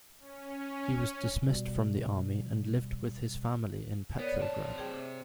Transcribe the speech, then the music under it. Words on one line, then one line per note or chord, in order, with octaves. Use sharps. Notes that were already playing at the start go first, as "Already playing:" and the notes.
He was dismissed from the army and lived with his family in Petrograd.
C#4
B2 G3
B3 A#4 C#5 D5
C3 A5
G#4 G5